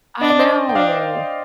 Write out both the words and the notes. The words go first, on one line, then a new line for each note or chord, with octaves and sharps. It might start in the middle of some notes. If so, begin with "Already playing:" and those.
I know.
D4 D#5
D5
C5 D#5
G5
D4 D5 F5